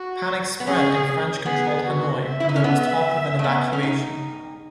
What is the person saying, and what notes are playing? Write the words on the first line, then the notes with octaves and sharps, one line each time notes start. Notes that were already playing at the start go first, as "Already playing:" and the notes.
Panic spread in French-controlled Hanoi and there was talk of an evacuation.
Already playing: F#4
B3
C#4 G#4
B3 G#4
F#4
E5
E4
D#4
C#4
B3
A3
B3
C#4
D#4